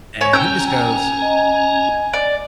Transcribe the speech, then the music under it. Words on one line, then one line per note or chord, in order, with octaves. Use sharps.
and he just goes,
C#5 G#5
C#4 G5 A#5 E6 G6
D#5
D5